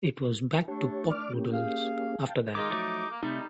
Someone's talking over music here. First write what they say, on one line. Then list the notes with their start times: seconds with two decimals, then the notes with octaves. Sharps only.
It was back to Pot Noodles after that.
0.68 A3 D4 G4 C#5
1.10 D5 D6 F6
1.34 A#3 C#4 G4
1.53 G#4 F5
2.22 F5 G5 A5
2.55 D#3 G#3 D#4 F4 D6
2.70 F3 F#3 A3
3.11 A#3
3.23 C3 G3 A3 D#4